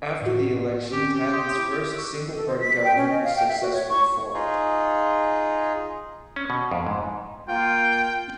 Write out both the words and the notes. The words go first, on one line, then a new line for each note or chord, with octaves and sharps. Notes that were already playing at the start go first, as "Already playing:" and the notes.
After the election, Thailand's first single party government was successfully formed.
A2 F#4
C4 C#4 G4
C6 D#6 G6
E4
C#6 E6 F#6
A4
C5
B6
G5
C#4
D#5
F5
G5
E5
F#4
C#5
C#6
D#4 F4 G#4
C#4
B2
F2
G#2
A#3 F4 G5